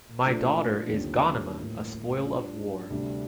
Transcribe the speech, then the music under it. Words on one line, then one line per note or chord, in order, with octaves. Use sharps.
My daughter is Ghanima, a spoil of war.
A#2 F3 A3 D4 F4
D#2 D3 G3 C4 F4
A2 F3 A#3
G3 D4 F4
D2 C3 G3 D4